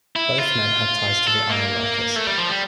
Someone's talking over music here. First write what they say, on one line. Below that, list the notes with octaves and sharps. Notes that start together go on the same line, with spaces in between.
Both men had ties to the Ironworkers.
E4
F4
A4
A#3
A3
G3
F3
G3